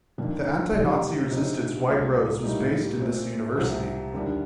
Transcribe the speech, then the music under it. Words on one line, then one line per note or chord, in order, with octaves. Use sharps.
The anti-Nazi resistance White Rose was based in this university.
F2 D#3 A#3 D4
F2 C3 G3 A#3 D#4
D2 C3 F3 C4 D#4
C2 A#2 A3
A2 G3 A#3 D#4
A#2 A3 C4
C2 C3 F3 C4
D#2 D3 G3 D4